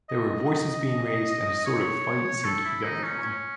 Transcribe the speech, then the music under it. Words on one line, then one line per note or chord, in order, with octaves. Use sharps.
There were voices being raised and a sort of fight seemed to be going on...
D#5
C#5
A4
E4
D#4
C#4
C#4